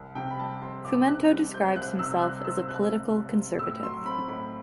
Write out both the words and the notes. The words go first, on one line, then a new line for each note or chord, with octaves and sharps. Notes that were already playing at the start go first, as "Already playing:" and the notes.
Fumento describes himself as a political conservative.
Already playing: C2
C3 G5
B5
G3 A5
C4 C6
C2 D6
C3 F#6
G3 F#6
C4 G6
C2 F#6
C3 E6
G3 F#6
C4 E6
C2 F#6
C3
G3
C4
A2 E6
F#3 C6
C4 B5
A2 B5